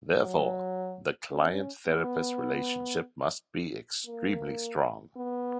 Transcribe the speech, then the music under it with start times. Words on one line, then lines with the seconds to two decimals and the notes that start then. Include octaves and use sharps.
Therefore, the client-therapist relationship must be extremely strong.
0.22 F#3
1.32 C#4
1.87 B3
4.07 A#3
5.17 B3